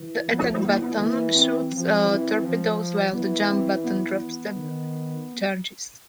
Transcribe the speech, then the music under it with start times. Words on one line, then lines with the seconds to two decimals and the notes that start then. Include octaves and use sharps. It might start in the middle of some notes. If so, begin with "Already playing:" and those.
The attack button shoots torpedoes while the jump button drops depth charges.
Already playing: E3
0.28 F3 B3
0.46 A3
0.64 E3 A#3
0.82 B3
0.99 E3 A#3
1.35 C4
1.71 F3
2.07 E3
2.42 F3
3.13 E3 B3
3.49 C4
3.84 B3
4.56 D#3